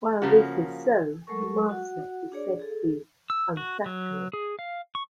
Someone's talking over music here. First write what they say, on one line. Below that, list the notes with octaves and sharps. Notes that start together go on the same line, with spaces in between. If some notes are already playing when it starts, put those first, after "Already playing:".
While this is so the maser is said to be "unsaturated".
C#3 F3 A#3 C#4 F#4
F#3 G#3 A3 A4 A#4 C#6
F#4 F#5
D4 G#4 C#5 D5
G#4 A4
E6
F#4
F#3
G#4
F5
C#6